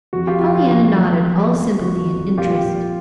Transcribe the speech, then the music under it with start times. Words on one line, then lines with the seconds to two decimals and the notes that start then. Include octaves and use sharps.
Pollyanna nodded, all sympathy and interest.
0.13 F2 F#4
0.27 F4 G4
0.41 F2 F4
0.55 F4
0.70 F3 F#4
0.98 F2
1.26 F2
1.53 F2
1.82 F3 F#4
2.09 F2
2.37 A#2 F4 G4
2.65 A#2